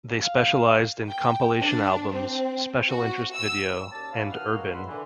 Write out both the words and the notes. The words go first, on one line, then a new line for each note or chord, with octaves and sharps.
They specialized in compilation albums, special interest video, and urban.
F5
G5
D4
C4
F#4
E6
D#2 C#4 D5 A5
C#4 E4 F5
B2 D#3 D#5 F#5 F6
G#3 A#3 F#4 C#5 F5
D4 B4 E5 F#5 B5 C6
D3 E3